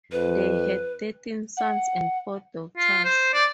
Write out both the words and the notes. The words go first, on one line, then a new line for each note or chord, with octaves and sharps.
They had thirteen sons and four daughters.
F2 B4
F#5
F4
C5
D5